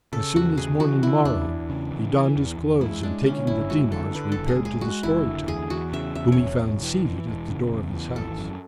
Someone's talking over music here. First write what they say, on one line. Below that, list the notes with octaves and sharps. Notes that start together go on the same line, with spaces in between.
As soon as morning morrowed, he donned his clothes and taking the dinars, repaired to the story-teller, whom he found seated at the door of his house.
C#3 A4
E2 F#4
C#3 G#4
E3 F#4
C#3 E4
E2 D4
E2
C#3
E3
E3
E2
E2
G#3 E4
G#3 D4
D3 C#4
F#1 E4
G#3 F#4
D3 A4
D3 B4
A4
F#1
G#4
G#3
G#4
G#3 F#4
F#1 E4
D3
E2 G#4
E2 F#4
C#3 E5
E2 E5
C#5
E1
E1
E3
E3
E1
C#3
E2
E3
G#1 A4
F#2